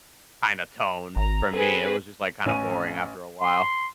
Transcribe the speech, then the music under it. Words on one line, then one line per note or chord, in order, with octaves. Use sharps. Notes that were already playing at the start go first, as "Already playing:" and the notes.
kinda tone for me. It was just, like, kinda boring after a while.
G#1 A#5
C4 G#4 A4 B4
A1 C#4 B4 G#5 D#7
C6